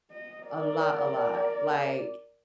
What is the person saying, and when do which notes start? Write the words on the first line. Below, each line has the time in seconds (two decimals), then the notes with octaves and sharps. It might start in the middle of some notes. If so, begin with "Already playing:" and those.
A lot, a lot, like
0.11 D#5
0.46 A#4 D5